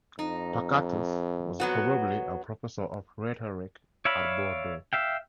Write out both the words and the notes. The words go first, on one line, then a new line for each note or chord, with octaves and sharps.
Pacatus was probably a professor of rhetoric at Bordeaux.
F2 D#4
F#3 B3 F#4
C#5 D5 E5 F5 B5
E5 F5 G5